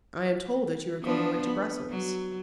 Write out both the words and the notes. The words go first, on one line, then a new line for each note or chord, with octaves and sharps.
"I am told that you are going away to Brussels."
F3 B3 D4
B3
F#3